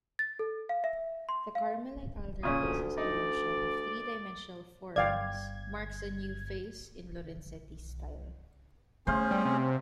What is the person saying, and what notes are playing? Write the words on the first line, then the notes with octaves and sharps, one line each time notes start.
The Carmelite altarpiece's illusion of three-dimensional forms marks a new phase in Lorenzetti's style.
A6
A4
F5
E5
C6
F5
A#2 C#3 C#4 D#6
D2
D#4 D5
G1 D5 F5 G5 G#6
A3 B3 C#4 G#4 C5 F5
G3
C3